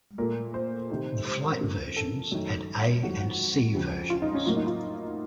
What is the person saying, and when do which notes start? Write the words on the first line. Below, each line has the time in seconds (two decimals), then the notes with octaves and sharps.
The flight versions had A and C versions.
0.18 A#2 A3 A#4
0.54 C5
0.90 C3 D#3 A3
1.25 C5
1.43 A#4
1.61 F2 C#3 A3
1.96 A4
2.32 F#2 D#3 A3
3.03 F2 D#3 F#3 A3 F#4
3.75 F2 C#3 F3
4.10 F4
4.22 D#4
4.35 C#4
4.46 A2 F#3 A#3 F4
4.56 D#4
4.66 F4